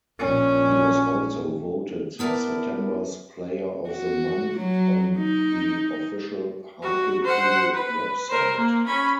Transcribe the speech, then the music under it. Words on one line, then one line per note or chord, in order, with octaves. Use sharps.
He was also voted September's Player of the Month on the official Hartlepool website.
A#1 C#4
B3 E4 A#4 B4 D5 A5
F#4
F#3
D#4
F#4
C5 F#5
B4
A#4 C5
A#3
C#4 B5